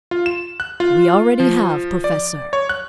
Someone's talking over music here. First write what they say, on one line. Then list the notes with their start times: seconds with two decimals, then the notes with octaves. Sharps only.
"We already have, professor."
0.11 F4
0.26 E7
0.60 F#6
0.80 F4
1.40 F3
2.04 D5
2.53 C#5
2.69 F#6